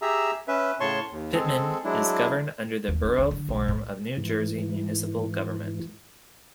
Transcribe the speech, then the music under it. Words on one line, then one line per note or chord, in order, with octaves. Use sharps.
Pitman is governed under the Borough form of New Jersey municipal government.
G4 G#4 E5 A#5 E6
C#4 B4 E5
A2 C#3 C#5 A5 C6 C#6
D#2
G#3 C4 G#4 A4
F#3 G#3 D4 E4
D#2
D4
D2
D3
B1
A2
G#2 E3